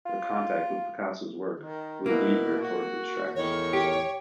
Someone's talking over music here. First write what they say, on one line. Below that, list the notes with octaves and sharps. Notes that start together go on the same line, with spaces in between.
Her contact with Picasso’s work will lead her towards abstraction.
F4
D#3
B2 A#3 E4
F#4
E2 A2 D#3 C#5
G4